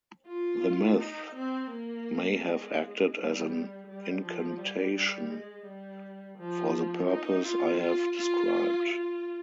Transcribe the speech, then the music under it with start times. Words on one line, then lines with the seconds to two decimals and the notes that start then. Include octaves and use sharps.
The myth may have acted as an incantation for the purpose I have described.
0.27 F4
0.99 D#4
1.35 C4
1.71 A#3
2.43 G#3
3.15 G3
3.87 G3
4.23 F3
4.58 G3
4.95 G3
5.30 G#3
5.66 G3
6.38 F3
7.10 D#4
7.45 F4
7.81 F4
8.17 F4
8.89 F4